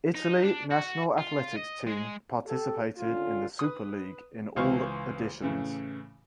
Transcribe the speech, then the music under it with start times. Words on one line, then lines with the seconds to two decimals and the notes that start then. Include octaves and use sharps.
Italy national athletics team participated in the Super League in all editions.
0.15 D#4
0.44 D4
0.71 F#4
1.18 F4
1.56 D#5
1.87 G#3
2.46 G4 A4
2.97 D3 C#4 F4
3.59 B4 D#6
4.56 C#2 E3 C5 F5 C#6
5.42 A2 C#3 E3